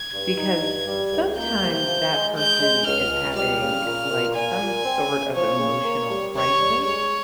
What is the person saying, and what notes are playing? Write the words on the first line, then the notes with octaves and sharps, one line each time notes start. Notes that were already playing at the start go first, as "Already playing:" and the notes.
because sometimes that person is having, like, some sort of emotional crisis,
Already playing: G#6
G2
D#4
G2
G3
C#2
A#3 G6
C3
F3
G#3
G#3 G6
G#3
C#2 F6
C#2
G3 F6
C#3
A#2
A#2
A#2 G#5
A#2
C4
C#3
F3 C#5
C#3
A#3
G3
D#2 C#5
G3
G#3 C#5